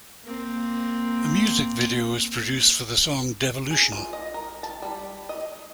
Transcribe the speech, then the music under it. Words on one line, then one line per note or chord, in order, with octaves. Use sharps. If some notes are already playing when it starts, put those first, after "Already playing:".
A music video was produced for the song Devilution.
A#3 C4
G#4
F4
D#5
A#4
A5
G3
D#5